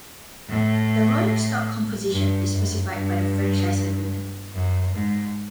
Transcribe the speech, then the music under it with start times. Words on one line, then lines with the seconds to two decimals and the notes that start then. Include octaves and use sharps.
The rolling stock composition is specified by the franchise agreement.
0.49 A2
2.10 G2
2.52 F#2
2.92 G2
4.54 F#2
4.95 G#2